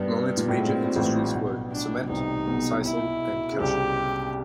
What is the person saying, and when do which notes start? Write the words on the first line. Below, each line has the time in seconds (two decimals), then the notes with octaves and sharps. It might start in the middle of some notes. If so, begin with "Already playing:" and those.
Among its major industries were cement, sisal and cashew.
Already playing: G2 B3
0.37 A#2
0.48 A2
0.58 G#2 C4
0.96 A1 A2
1.34 B1 B2
1.71 D4
1.98 B2
2.09 C2 C3 D#4
2.47 B1 B2
2.85 E4
3.52 C#3
3.60 C2 C3 G4